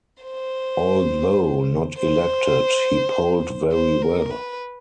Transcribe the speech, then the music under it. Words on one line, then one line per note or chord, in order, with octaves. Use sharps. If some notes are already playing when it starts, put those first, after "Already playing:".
Although not elected, he polled very well.
C5
C5
C5
A#4
B4